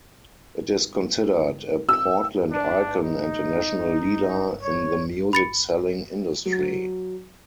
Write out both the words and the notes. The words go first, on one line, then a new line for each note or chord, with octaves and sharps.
It is considered a Portland icon and a "national leader in the music-selling industry".
E6
D4
D#4
C#5
B5 A6 C#7
F#3